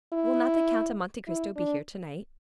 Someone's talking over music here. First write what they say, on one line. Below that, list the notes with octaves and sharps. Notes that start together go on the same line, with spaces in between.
"Will not the Count of Monte Cristo be here to-night?"
E4
E4
D4